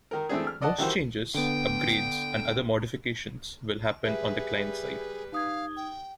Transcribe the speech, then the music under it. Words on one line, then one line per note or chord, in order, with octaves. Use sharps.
Most changes, upgrades, and other modifications will happen on the client side.
D#3 A#4
E3 A3 C4 D4 G#4
F6
D5 D#5 F#5 A5
D#3 E3 G3 F#4 G4 C5
D3 B3 G5
G3 G#4 B4 E5
D#4 F5 D#6 G#6
G5